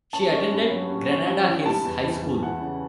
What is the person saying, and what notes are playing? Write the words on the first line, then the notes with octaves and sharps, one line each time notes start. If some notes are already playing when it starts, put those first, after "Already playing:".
She attended Granada Hills High School.
C#4 A5
C#4
G2
F#3
C#4
C#4
G2
E4
G3 A5
E2
E3
E2
E3 F#5
C#3